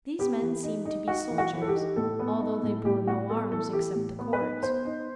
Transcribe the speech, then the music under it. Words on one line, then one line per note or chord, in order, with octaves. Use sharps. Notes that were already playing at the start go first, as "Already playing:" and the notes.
These men seemed to be soldiers, although they bore no arms except the cords.
B3 G4
E3
D#4
D#4
D#4 F#4
E3
F#4
E3
A4
G4
D#4
A2 A4
B3
D#4
A2
A2 G4
A2 F#4
B3 A4
E3 A4
E3 G4
A2
B3
B4
D#4
B3 C5
D#4